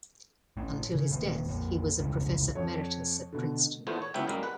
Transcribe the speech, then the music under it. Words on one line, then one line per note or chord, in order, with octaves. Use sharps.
Until his death, he was a professor emeritus at Princeton.
A2 A3 C#4
C#3
A#2 D#3 A#3
F2 A#3
F1 C#2 A2 C#3
F2 C#5
B2 D3
E2 A#2 A3 B3 C5
C#5
C#2 F#3 B3 E4 E5 G5
F#2 G3 G#3 A#3
B4 F#5